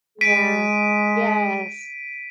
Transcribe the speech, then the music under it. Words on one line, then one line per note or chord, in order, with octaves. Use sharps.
Yeah. Yes.
G#3 B6 D7 D#7